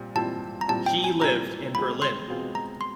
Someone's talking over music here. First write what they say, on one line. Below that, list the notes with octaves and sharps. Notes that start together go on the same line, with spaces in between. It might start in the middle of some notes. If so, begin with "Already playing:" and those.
She lived in Berlin.
Already playing: A#2 G3 C4
A#2 G3 C4 E4 A5
A#5
A#2 G3 C4 E4 A5
G5
G#5
A#2 G3 C4 E4 A#5
B2 G#3 C4 F4 B5
C6
B2 G#3 C4 F4
A#5
C6